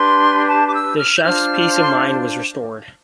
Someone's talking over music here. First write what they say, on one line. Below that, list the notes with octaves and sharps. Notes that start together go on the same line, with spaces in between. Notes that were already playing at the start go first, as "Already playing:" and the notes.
The chef's peace of mind was restored.
Already playing: D4 G4 B4 C6
A5
D6
E6
F6
G6
D4 F4 C5 F6
F6
C6